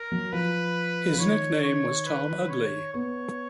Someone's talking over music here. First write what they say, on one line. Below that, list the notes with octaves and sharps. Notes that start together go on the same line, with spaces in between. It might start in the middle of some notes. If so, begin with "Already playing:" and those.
His nickname was Tom Ugly.
Already playing: A#4
F#3
F3 B4
F3
D#3 C#5
C#5
B4
C#5
B3 C#5